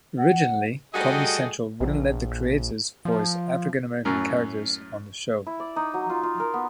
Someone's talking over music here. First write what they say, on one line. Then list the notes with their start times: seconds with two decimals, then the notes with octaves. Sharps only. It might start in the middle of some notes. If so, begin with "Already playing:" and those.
Originally Comedy Central wouldn't let the creators voice African-American characters on the show.
0.18 F#5
0.94 G3 A3 F#4 G#4 D#5 G5
1.80 A#1
3.05 F3
4.05 F#2 A2 A#4
5.47 E4
5.60 D5
5.76 D#4
5.94 F#3
6.10 F4
6.23 F4
6.40 A#4
6.54 B3